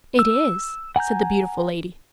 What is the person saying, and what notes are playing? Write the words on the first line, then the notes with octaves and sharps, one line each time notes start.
"It is," said the beautiful lady.
E6
F#5 G#5 A#5 G6